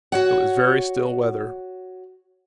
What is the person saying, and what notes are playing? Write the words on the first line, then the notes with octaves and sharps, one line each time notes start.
It was very still weather.
F#4 C#5 F#5